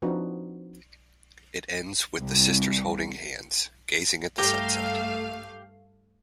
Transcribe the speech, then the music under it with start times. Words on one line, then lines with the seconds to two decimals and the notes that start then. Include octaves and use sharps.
It ends with the sisters holding hands, gazing at the sunset.
0.02 F3 C4 D4 D#4 F#4 B4
2.20 C2
4.38 G2 A3 G4 F5 G5 A#5